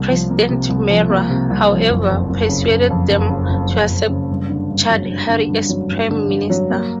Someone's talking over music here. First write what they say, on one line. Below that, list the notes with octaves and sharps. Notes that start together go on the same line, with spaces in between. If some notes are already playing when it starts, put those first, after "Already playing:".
President Mara, however, persuaded them to accept Chaudhry as Prime Minister.
Already playing: C2 C3 A#3
F3
A#3
C3
C2
F3
A#3
C3
C2
F3
F#1
F2
F#1
C#3
F#1
F2
F#1
C#3
F#1
F2
F#1
C#3
G2
D3
G2
F#3
G2
D3
G2
F#3
G2
D3
G2
F#3
A#3